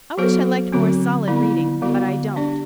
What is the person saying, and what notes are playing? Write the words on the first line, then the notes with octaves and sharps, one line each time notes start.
I wish I liked more solid reading; but I don't.
F#3 B3 F#4 A4 C5
D3 F#3 C4 F#4
D3 G3 B3 E4
D3 G3 B3 F#4
D4 G4 D5